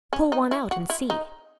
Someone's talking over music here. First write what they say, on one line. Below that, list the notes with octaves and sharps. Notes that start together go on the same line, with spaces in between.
"Pull one out and see!"
C#4
D#4
E4
F#4
E4
D#4